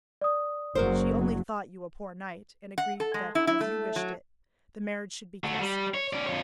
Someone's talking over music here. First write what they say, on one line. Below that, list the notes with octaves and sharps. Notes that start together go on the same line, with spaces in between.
She only thought you a poor knight, and agreed that as you wished it, the marriage should be kept secret.
D5 D#6
F#1 F#3 F#4 A#4 C5
F#5
A4
G#3
E4
E4
A3
F#3
A3 F#4
G3
C#5
C#4 D5
F2 C#5